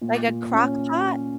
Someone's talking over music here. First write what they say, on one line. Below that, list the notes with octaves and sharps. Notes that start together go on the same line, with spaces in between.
Like a crock pot?
A#2
A#2
C#4